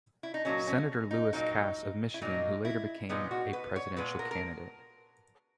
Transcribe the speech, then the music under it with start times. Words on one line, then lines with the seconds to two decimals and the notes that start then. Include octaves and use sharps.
Senator Lewis Cass of Michigan who later became a presidential candidate.
0.23 E4
0.34 D#4
0.45 A#2 F#3 A#3 C#4
0.67 C#4
1.11 D#4
1.33 A#2 F#3 A#3 D#4
2.14 E4
2.22 A#2 F#3 A#3 D#4
2.65 E4
3.09 A#2 G#3 B3 D#4
3.31 F#4
3.53 B4
3.76 C#5
3.97 A#2 G#3 B3 B4
4.19 A#4
4.31 A#4